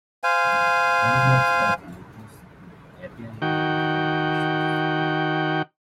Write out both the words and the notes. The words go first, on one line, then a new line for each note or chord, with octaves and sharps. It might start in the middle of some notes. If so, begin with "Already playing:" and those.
Photographs of Lupus would appear in a number of issues.
C5 F5 G#5
D#3 F#4 G5